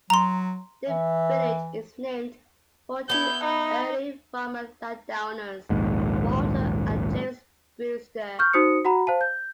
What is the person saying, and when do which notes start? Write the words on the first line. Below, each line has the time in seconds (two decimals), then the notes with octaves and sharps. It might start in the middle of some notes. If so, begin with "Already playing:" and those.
The village is named for two early farmer landowners, Walter and James Brewster.
0.10 F#3 A#5 C6
0.89 E3 E5
3.10 B3 E4 G6
3.44 D#4
5.70 A#1 D#2 G#2
8.39 C#6 F6 G6
8.53 D#4 F#4 C5 D#6 C#7
8.85 F#4 F#5 A#5 B5
9.07 C5 F5 A5
9.21 G6